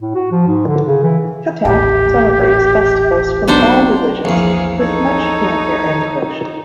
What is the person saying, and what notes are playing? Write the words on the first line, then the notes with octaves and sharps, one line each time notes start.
Cuttack celebrates festivals from all religions with much fanfare and devotion.
A2
F#4
F3
G#2
D3
C#3
E3
D#1 A1 G4
B1 F#3 D4 C5
A#1 E2 G#4 F5
D#4 A4 C#5